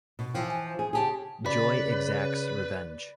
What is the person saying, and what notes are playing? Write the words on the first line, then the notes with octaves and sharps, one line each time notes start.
Joy exacts revenge.
B2
E3 F3 G5
G#5
C5
G#4
C#3 G4 G#4 A5
C#3 B4 D5 B5 B6